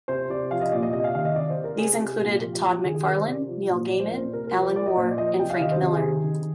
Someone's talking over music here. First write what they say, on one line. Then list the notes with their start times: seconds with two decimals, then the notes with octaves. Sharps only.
These included Todd McFarlane, Neil Gaiman, Alan Moore, and Frank Miller.
0.08 C3 C5
0.30 C3 D5
0.51 F3 F5
0.61 D#5
0.72 A#2 D5
0.83 D#5
0.93 C3 D#5
1.04 F5
1.15 D#3 F5
1.25 D#5
1.36 C3 D5
1.50 C5
1.57 C3
1.64 A#4
1.78 C3 G#4
1.99 C3 G4
2.21 A#2 F4
2.32 G4
2.42 F3 F4
2.53 G4
2.63 C3 F4
2.74 G4
2.85 D#3 G#4
2.95 G#4
3.05 C3 A#4
3.17 C5
3.27 C3 D5
3.48 F3
3.70 A#2
3.91 F3 D5
4.00 C5
4.08 A#2 A#4
4.17 C5
4.33 C3 A#4
4.47 A#4
4.55 F3
4.61 C5
4.76 F3 D5
4.86 D#5
4.97 A#2 C5
5.08 D5
5.18 F3 D#5
5.39 C3 G5
5.50 F5
5.60 D#3 D#5
5.72 C5
5.82 C3
5.92 G#4
6.04 D#3
6.24 D#3